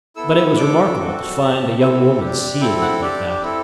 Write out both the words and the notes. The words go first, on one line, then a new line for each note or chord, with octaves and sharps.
But it was remarkable to find a young woman seeing it like that.
B3 E4 A4 E6
E6
D4 A4 D6
C4 F#4 A4
C4 G4 A5
C4 E4 A4
D4 G4
C4 E4 A4 G5
F#5
D4 G4 D5
C4 E4 A4